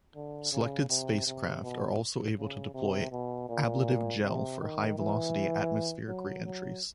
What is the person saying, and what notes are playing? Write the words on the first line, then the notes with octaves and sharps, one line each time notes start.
Selected spacecraft are also able to deploy ablative gel for high-velocity atmospheric reentries.
D3
C#3
C3
C3
B2
C#3
C3
B2
A#2
C3
D#3
E3
F#3
F#3